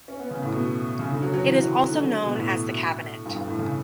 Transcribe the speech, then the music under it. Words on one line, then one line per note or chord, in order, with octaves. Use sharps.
It is also known as the cabinet.
C#4
B3
C#3
A2
B2
C#3
D3
F#3
F#3
E3
D3
F#3
B2
A2
G2
G2
A2
C#3